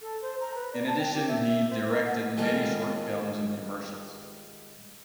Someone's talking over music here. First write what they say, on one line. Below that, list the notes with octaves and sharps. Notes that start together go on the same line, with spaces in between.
In addition he directed many short films and commercials.
A4
C5
A#5
B4
D5
A5
G5
G4
E5
C5
A#4
F#5
D#3 G3 G#3 B3 F4 A4